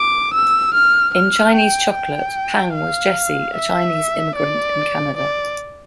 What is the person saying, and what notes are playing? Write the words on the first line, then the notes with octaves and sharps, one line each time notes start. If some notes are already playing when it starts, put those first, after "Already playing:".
In "Chinese Chocolate", Pang was Jesse, a Chinese immigrant in Canada.
Already playing: D6
E6
F6
F6
G5
G5
F5
E5
D5
D5